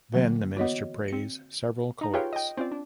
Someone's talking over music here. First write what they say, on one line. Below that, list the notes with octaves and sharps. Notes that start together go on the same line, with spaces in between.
Then the minister prays several collects.
D3 F#3 A3 A#3
E3 B3 F#4 C#5 D#5
C4 C#7
D#4 A#5
F4 G4 G#4 B4 C#5 G5
D#5 G5
C4 C#4 F4 D5
D4